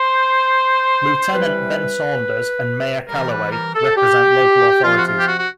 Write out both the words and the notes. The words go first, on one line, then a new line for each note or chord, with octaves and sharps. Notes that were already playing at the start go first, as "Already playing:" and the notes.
Lieutenant Ben Saunders and mayor Calloway represent local authorities.
Already playing: C5
C3 E3 G3 B4
C3 E3 G3 A#4
B4
A#4
A4
G4
C3 F3 F4
F#4
F4
G4
F#4
F#4